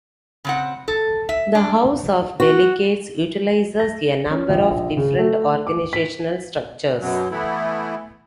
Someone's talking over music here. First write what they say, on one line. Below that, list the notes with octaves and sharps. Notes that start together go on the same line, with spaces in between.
The House of Delegates utilizes a number of different organizational structures.
C#3 C4 F#5
A4
E5
D4
F#4
A#6
C#4
A#1
C#3
A3
D6
B6
F#2 B2 F#3
E3 A3 B3 E4